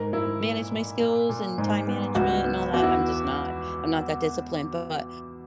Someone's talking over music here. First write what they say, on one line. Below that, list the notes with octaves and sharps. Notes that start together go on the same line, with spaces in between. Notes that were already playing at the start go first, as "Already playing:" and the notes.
manage my skills and time management and all that I'm just not I'm not that disciplined, but
Already playing: G#2 A#4
G#2 E4
A#2
A#2
A#2
A#2
G#2
B3
C#2 F#4
B3
E2 F#4
E4